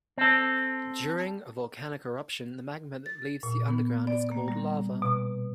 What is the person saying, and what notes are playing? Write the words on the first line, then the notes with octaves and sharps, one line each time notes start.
During a volcanic eruption the magma that leaves the underground is called lava.
C4 A4
A6
A#2
B3
D5
A#3
G3
B2